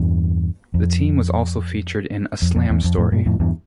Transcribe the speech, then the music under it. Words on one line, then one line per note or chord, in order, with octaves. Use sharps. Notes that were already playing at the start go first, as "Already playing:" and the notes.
The team was also featured in a Slam story.
Already playing: E2 G2
F2
F2
F2
E2
F2
F2 A2
G2 A#2
F2 A2
E2 G2